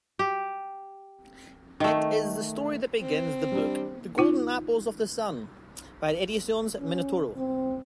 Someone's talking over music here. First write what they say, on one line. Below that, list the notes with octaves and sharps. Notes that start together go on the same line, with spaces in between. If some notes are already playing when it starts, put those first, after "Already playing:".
It is the story that begins the book “The golden apples of the sun” by Ediciones Minotauro.
G4
D#3 A3
C4
G3 D4
D#4 F4
C#4
C4